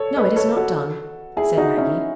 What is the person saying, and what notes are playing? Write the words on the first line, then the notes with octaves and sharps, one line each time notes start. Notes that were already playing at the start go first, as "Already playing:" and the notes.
"No, it is not done," said Maggie.
Already playing: A4 C#5
B4 D#5
A4 C#5
F#4 A4
E4 G#4
D#4 F#4
C#4 E4